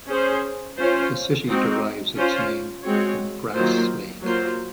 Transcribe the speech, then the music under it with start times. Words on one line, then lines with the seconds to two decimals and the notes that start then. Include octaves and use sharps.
The city derives its name from Grass Lake.
0.10 C#4 G#4 C5
0.79 C#4 F4 C5
1.48 G#3 C4 D#4 F#4
2.16 C#4 F4 C5
2.85 G#3 C4 F#4 C#5
3.54 D#3 F#3 A#3 F4 C5
4.23 F#3 A#3 F4 C5